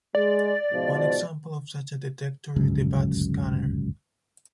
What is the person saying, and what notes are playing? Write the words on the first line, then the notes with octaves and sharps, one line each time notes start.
One example of such a detector is the Bat Scanner.
G#3 D5
G#2 B2 F3
D1 G1 C#2 F#2